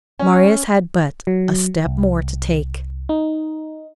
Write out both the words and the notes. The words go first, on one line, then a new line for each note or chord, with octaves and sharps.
Marius had but a step more to take.
C#4
F#3
C2
D#4